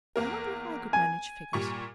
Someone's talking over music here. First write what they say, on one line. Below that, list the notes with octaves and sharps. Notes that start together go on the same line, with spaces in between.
I wonder if I could manage figures.
E2 A#3 A#4
G#5
A#2 G3 C#6